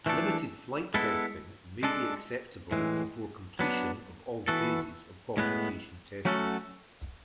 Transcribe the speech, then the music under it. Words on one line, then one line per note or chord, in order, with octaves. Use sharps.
Limited flight testing may be acceptable before completion of all phases of Qualification Testing.
E3 A3 D4 A4
G#3 B3 E4 A4
G#3 D4 A4
A2 E3 G#3
F#3 B3 D4
E3 B3 F#4 A4
A2 G#3 B3
F#3 A3 C#4 F#4 A4